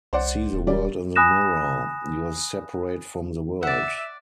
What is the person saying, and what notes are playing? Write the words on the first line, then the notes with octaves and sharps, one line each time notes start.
See the world in the mirror, you're separate from the world.
C2 C5 D5 F#5
D#1
G3 D5
G#5 B5 D#6 F#6 A#6 E7
D5 E5 F#5